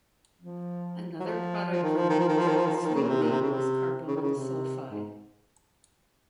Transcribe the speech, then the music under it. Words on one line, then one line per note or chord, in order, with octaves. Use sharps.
Another product removed during sweetening is carbonyl sulfide.
F3
F#3
F3
F3
D#3
F3
D#3
F3
D#3
F3
D#3
F3
D#3
F3
D#3
C#3
A#2
C3
A#2
C3
C#3
C3
C#3
D#3
C#3
C3
G#2